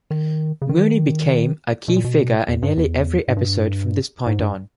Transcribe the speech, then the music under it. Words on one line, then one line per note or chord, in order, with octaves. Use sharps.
Mooney became a key figure in nearly every episode from this point on.
D#3
C#3
D#3
B2
A#2
B2
E2
G2
E2
G#2
G2
G#2
G2